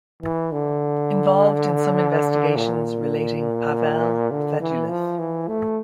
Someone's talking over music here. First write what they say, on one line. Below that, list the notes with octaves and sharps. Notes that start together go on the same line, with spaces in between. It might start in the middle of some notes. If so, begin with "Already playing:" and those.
Involved in some investigations relating Pavel Fedulev.
E3
D3
A#2
D3
E3
F3
E3
A3